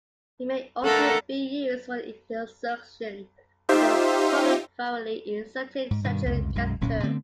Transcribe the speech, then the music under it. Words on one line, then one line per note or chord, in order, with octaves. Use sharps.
It may also be used for the insertion of a peripherally inserted central catheter.
D3 A3 A4 A#4 F5 F#5 A#5
D#4 F4 G4 C5 E5
G#2
G2 B2 D#3
C2 F2 C#3 G#3
B1 F#2 B2 G#3
D1 B1 A#2 C#4
D3 A3 B3 C4